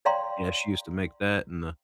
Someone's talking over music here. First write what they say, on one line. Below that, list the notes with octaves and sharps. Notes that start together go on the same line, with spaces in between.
Yeah, she used to make that, and the,
C#5 D5 F5 G5 A#5 C6